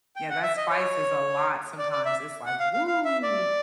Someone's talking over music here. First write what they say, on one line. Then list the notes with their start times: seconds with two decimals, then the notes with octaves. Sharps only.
Yeah, that spice is a lot sometimes. It's like, "Whoo."
0.16 G5
0.30 F#5
0.43 E5
0.57 D#5
0.70 C#5
1.79 D5
1.92 D5
2.05 E5
2.46 F#5
2.59 F5
2.73 F5
2.87 F5
3.05 E5
3.23 D5